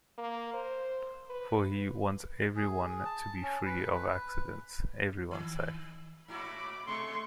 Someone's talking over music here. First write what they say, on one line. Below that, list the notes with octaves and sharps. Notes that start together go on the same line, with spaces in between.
For he wants everyone to be free of accidents, everyone safe.
A#3
C5
B4
G#4
A5
C#4
B4
B4
D#3
G#2 E4 F#4 B5 D6
B2 A3 C6 C#6